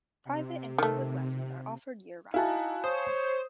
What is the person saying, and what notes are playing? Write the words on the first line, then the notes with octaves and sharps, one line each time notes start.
Private and public lessons are offered year round.
C3
D#3 A3
D#4 E4 F#4 F5 G#5 A5
C5 C#5 D#6